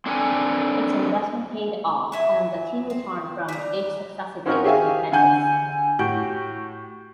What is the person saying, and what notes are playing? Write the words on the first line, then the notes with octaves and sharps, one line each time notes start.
Its investment paid off and the team returned from each successive event with medals.
C4 D4 A4 E5 G#5
F#3 E5 G#5
C4
G3 A#5
C4 C#4 D#4 F#4 A#4 F#5
G4 G#4 E5 F5 G#5
D3 F#5 G#5 G6
A2 F#4 G4 G6 D7